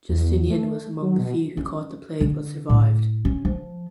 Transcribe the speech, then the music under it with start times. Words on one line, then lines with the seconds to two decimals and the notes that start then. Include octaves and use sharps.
Justinian was among the few who caught the plague but survived.
0.09 E2
0.51 A3
1.02 F#3
1.19 B2
1.57 C#4
2.21 D3
2.69 A2
3.25 C#4
3.45 F3